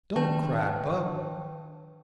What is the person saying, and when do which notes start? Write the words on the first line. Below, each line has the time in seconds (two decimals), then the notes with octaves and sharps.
Don't cry, bub.
0.16 D#3 D4 B4 G5 A5